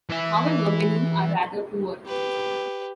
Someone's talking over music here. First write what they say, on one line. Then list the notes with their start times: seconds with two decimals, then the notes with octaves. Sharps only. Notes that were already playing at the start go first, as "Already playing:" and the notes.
However, many are rather poor.
0.10 E3 E5
2.06 G4 B4